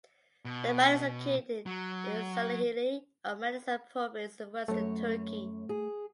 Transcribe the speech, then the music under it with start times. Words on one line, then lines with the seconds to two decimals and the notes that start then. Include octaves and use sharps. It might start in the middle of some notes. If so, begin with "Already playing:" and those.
The mine is located in Salihli of Manisa Province in western Turkey.
0.45 B2
1.66 F#3
4.68 F#2 A3 C#5
5.69 G#4